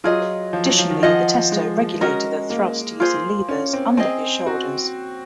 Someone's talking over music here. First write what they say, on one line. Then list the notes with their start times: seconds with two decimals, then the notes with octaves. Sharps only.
Additionally, the tester regulated the thrust using levers under his shoulders.
0.04 F#3 F4 G#4 D#5
0.53 F3
0.65 F#3
0.78 F3
0.90 D#3
1.02 F3 F4 G#4 D#5 F#5
1.52 G#3
2.01 C#4 F#4 A#4 D#5
2.50 A#3
3.00 F4 G#4 C5
3.49 C#4
3.73 C4
3.97 C4 G#4 D#5 G#5
4.46 F#4